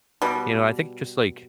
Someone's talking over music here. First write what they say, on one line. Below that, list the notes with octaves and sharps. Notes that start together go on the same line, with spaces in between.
you know, I think just like,
B2 G3